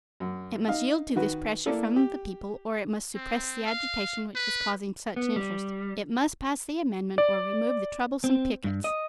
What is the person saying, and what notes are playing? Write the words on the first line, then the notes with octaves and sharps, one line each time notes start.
It must yield to this pressure from the people or it must suppress the agitation which was causing such interest. It must pass the amendment or remove the troublesome pickets.
F#2
D#4 F5
D#3 F#4 B4
A#3 E4 A4 D5
G4
C4
F5
B4
B3
G3
D5
C4
G2
D#5